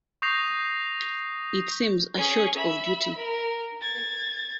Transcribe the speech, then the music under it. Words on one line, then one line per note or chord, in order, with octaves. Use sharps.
It seems a sort of duty.
C#6 D#6 G6 A#6 C7 F7
C#4 G#4
E5 B5
A#4
G#6 A6